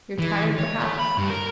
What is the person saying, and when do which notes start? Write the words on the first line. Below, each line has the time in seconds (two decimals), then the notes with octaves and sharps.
You're tired perhaps?
0.19 E3
0.59 C#5
0.81 A3
0.99 B5
1.18 G2
1.30 A#4